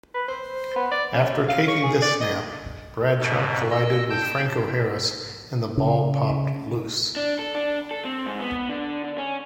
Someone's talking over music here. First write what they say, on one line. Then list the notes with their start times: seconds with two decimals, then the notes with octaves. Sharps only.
After taking the snap, Bradshaw collided with Franco Harris and the ball popped loose.
0.14 B4
0.28 C5
0.76 B3
0.91 D5
1.13 C#4
1.48 F5
1.68 C#6
1.83 G#4
2.02 D5
2.20 D#5
3.20 G#2 B2
3.70 D#5 E6
4.10 G5 A5 G6
5.77 C#3
7.16 D4
7.39 A4
7.55 D4
7.91 A4
8.05 C4
8.26 G#2
8.39 B3
8.69 D3
9.04 D3
9.18 C#4